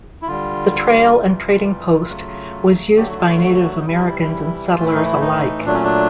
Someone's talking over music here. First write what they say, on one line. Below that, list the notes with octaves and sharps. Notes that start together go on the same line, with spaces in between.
The trail and trading post was used by Native Americans and settlers alike.
E4
D3 G3 F4
C3 E3 G3
C#3 F#3 A3
D3 F#3 A3 G4
F#4
F4
F#4
F4
F#4
D#4
C3 E3 G3 E4
A2 E3 A3 F4
E4
D#4
E4
D#4
A#2 F#3 A3 D4
C#4
D4